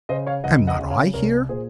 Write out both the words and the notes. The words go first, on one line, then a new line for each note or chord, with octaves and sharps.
"Am not I here?"
C#3 C5 D#5
C#5 F5
C#2 D#5 F#5
D#5 F#5
C#3
C#5 F5
C2 A#4 C#5
A#2 G#4 C5